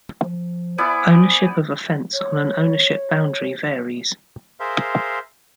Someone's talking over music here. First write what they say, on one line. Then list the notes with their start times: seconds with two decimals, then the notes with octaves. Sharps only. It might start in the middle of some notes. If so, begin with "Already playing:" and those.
Ownership of a fence on an ownership boundary varies.
0.25 F3
0.78 B3 E4 C5 D5 G#5
2.13 C#5
4.60 G#4 A#4 C5 E5 F5 C6